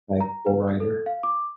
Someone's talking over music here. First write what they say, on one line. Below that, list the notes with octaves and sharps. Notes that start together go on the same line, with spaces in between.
like, bull rider.
A#5
B4
A4
F5
D6